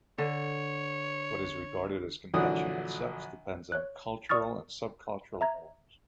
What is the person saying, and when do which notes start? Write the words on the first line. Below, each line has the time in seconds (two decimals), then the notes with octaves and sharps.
What is regarded as conventional sex depends on cultural and sub cultural norms.
0.18 D3 C#5
2.34 A#1 D3 E3 F#3 D4 D#6
3.72 C#5 F#6
4.29 D5 C#6 D#6 F6 A6
5.41 E5 A#5 G#6